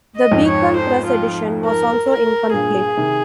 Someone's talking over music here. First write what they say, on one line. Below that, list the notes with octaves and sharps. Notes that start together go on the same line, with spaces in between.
The Beacon Press edition was also incomplete.
D#5
F2 G#2
C#5
C5
F4
A#4
A#4
G2 A#2 G#4
C3 D#3